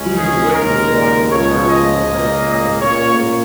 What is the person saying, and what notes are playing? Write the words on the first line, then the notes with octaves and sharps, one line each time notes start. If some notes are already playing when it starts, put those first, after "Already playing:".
losing the weight before I can return to, like, that kind of normal,
Already playing: C#2 C#3 G#3 C#4
G#4
D#2 C#3 G#3 A#4
C#2 C#3 F3 C#5
D#5
C#2 C#3 A#3
A#2 A#3 C#4 C#5